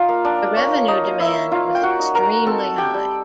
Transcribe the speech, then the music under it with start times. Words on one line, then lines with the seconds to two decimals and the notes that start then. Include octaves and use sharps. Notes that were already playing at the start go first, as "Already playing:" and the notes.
The revenue demand was extremely high.
Already playing: D#4 F4 F5
0.09 A#3
0.25 D4 D5
0.56 A#3 C#4 C#5
0.88 D#4 D#5
1.04 A#3
1.20 E4 E5
1.51 D#4 F4 F5
1.75 G5
1.83 F#4 F#5
1.99 D#4
2.15 A#4 A#5
2.46 C4 A4 A5
2.78 G4 G5
2.94 G3